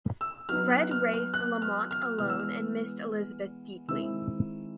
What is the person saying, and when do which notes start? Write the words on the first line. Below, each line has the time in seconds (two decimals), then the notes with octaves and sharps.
Fred raised Lamont alone and missed Elizabeth deeply.
0.21 E6
0.49 F#3 B3 D#4 F6
0.70 F#6
0.91 F6
1.14 F6
1.34 F#6
1.62 F6
1.91 F6
2.19 E3 G#3 B3 F6
2.30 E6
2.39 F6
3.88 D#3 G#3 C4 E4 E6